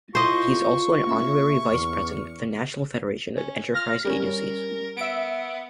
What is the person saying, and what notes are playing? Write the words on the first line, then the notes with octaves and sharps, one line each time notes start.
He is also an honorary Vice-president of the National Federation of Enterprise Agencies.
E4 F4 A4 C5 D#5 C#6
A#3 C#4 E5
E2 D6 F6 C#7
C#4
F4 F6 A#6
G3 C#4 A#4
B3 E5 D7